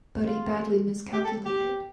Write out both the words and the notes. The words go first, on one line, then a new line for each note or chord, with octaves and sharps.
But he badly miscalculated.
F4
G4
A4
G4